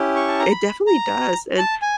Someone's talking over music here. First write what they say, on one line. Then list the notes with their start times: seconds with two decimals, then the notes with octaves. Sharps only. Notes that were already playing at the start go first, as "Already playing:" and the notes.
It definitely does, and
Already playing: C#4 E4 G4
0.16 C#6
0.28 A5
0.39 A#5
0.51 B5
0.87 A#5
1.58 A5
1.82 G#5